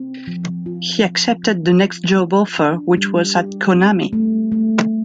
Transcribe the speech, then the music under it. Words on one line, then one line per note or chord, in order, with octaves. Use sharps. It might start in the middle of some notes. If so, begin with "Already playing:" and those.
He accepted the next job offer, which was at Konami.
Already playing: C4
F3
F4
F3
F3
F4
F4
D4
G3
G4
C4
A3
A3